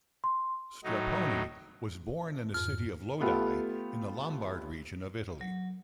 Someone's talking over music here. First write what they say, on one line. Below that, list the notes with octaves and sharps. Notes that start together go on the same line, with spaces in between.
Strepponi was born in the city of Lodi in the Lombard region of Italy.
C6
A2 F#3 D#4
F2 G#2 F6
A3 B3 F4 G4 A4
F#3